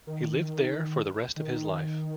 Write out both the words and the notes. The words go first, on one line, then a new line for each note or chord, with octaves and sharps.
He lived there for the rest of his life.
D#3
D#3